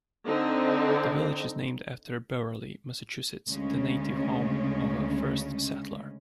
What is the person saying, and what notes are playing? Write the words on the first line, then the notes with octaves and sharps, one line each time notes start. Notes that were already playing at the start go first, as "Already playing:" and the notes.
The village is named after Beverly, Massachusetts, the native home of a first settler.
D3 C4 D#4
D2 C#3 G#3 C#4